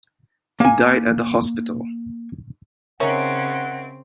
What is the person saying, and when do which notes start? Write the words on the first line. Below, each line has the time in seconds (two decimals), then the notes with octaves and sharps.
He died at the hospital.
0.60 A#3 G#5
3.00 C#3 C4 C#4 D#4 A#4 E5 F#5 G#5